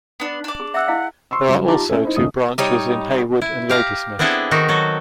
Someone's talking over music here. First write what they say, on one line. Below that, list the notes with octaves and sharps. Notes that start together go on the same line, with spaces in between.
There are also two branches in Hayward and Ladysmith.
B3 D4
D4 D6
G#4
E5 F#5 E6
E4 D#5 F5
C6 C#6 E6
C#3 F#3 G3
D#4 F4 G4 A5 A#5 D6
A3 C#4 A4 E5
D#4 E4 C5
D#2 C#3 A3 D#5 D#6
G3 D#4 C#5
E4
G4 F5 A#5
B3 C4 D4 E4 G#4 A4
D#3 D#4 F#4
F#3 F#4 A4